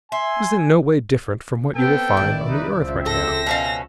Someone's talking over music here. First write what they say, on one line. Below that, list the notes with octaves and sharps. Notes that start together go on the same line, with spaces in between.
It was in no way different from what you will find on the earth right now.
E5 G#5 C6
B3 C4 A4 G5
A1 D#3 E4 D5
C2 D#4 B4
C#2 C#3 F3 C4 E5
A4 E6 A#6
B2 C#4 F5